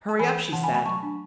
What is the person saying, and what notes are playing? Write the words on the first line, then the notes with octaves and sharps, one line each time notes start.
"Hurry up," she said.
A5
E3 G#5 B5
E3
E3 F#5 A5
G#5 B5
A3
G#5 B5
F#3 A5 C#6
D4